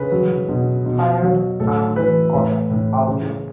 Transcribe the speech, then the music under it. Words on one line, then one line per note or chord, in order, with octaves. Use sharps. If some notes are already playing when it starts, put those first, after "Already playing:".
See: Hired armed cutter Albion.
Already playing: C#3 B4
F#3
B2
B2
F#3
A2 A4
E3 B4
A2
A2
C#3